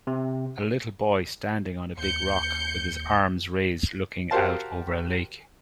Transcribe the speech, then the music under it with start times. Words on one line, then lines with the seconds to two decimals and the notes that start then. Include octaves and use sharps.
A little boy standing on a big rock with his arms raised looking out over a lake.
0.07 C3
1.97 D#2 G6 C#7
4.31 F#4 G4 A#4 C5 F5 A5